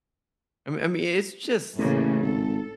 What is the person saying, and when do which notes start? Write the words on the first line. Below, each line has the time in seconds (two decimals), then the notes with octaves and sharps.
I me I mean, it's just
1.78 A1 A2 C#3 A#3
2.23 G#1 A4